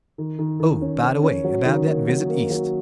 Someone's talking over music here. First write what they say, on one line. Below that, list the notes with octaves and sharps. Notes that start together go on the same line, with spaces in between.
Oh, by the way--about that visit East.
D#3
D#3
D#3
C#4
C#4
C#4
F#3
D#3
A#3
F#3
A#3
F#3